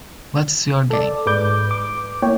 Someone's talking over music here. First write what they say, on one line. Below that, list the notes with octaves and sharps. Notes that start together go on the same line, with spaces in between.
What’s your game?
A4 D5
G#2 G#3 B4 D6 G6
D6
A#3 E4 C#5 G5